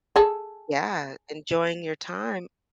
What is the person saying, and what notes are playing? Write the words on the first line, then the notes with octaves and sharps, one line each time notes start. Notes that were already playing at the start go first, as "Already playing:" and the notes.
Yeah, enjoying your time
G#4 A4